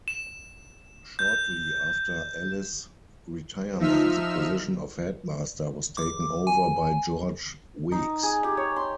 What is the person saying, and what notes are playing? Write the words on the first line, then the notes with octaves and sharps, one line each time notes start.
Shortly after Ellis' retirement the position of headmaster was taken over by George Weeks.
E7
G6
F3 D#4 E5 E6 F6
D6
G#5
D#4
G#4
G4
C#5
C6